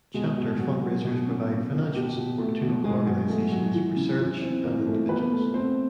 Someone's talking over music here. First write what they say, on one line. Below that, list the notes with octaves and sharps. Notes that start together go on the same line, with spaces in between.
Chapter fundraisers provide financial support to local organizations, research, and individuals.
B2 G#3 G#4
B2
F#3
F#3
B2
C#4
A#3
A#3
B2 G4
B2
A3
B2
B2 G#3 G#4
F#3
A3
F#3
E3
C#3
E3
C4
E3 A#3 A#4
A3
E3 B3 B4
A3
A3 C4 C5